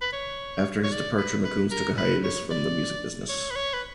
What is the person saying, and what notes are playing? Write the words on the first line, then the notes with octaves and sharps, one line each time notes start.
After his departure, McCombs took a hiatus from the music business.
B4
C#5
C#5
D5
B4
B4
A#4
B4
C#5
D5
C#5
B4
C#5
B4